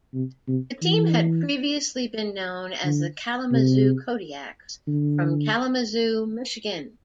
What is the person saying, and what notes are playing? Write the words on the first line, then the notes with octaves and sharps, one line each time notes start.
The team had previously been known as the Kalamazoo Kodiaks, from Kalamazoo, Michigan.
C3
C3
E3
D3
C3
D3